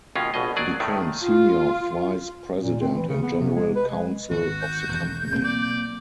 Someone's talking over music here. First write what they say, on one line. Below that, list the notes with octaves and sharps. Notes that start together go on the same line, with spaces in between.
He became senior vice president and general counsel of the company.
D#2 B2 G#3 C#4 F4
A#1 B2 D#5
F#3 G#4 D5
A2 D#3 A3
F4
A#2
C4
E3
C#3
B3
C3
G#3
B4
G#3
G#1 F#4
G6
E1
B1 A#3 C4
D5